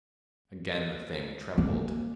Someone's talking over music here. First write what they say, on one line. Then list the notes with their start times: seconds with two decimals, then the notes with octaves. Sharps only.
Again the Thing trembled.
1.58 A#3